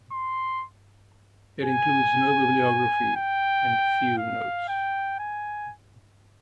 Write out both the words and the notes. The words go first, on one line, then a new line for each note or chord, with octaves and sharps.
It includes no bibliography, and few notes.
C6
G#5
G5
F5
G5
G#5